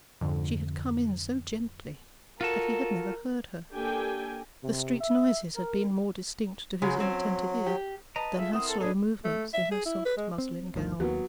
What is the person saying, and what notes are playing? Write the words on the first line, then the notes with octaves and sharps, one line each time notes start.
She had come in so gently, that he had never heard her; the street noises had been more distinct to his inattentive ear than her slow movements, in her soft muslin gown.
F2 G#2 D3
F4 F#4 A4 A#4
A#3 D4 G4 A4 G5 G#5
C3
E5
A#4
C#3 F#3 G#3
C4 C#4
G4
B4 D#5 A5 A#5
F4 G#4 A4 E5
C4 E4 A#4 C5 F#5 D#6
A4
D4 D#4 G#4 A4 B4
A3
E5
G#4
E4
B4
G#3
C4
G1 D2 D#3
D#2 F#3 A#3 B3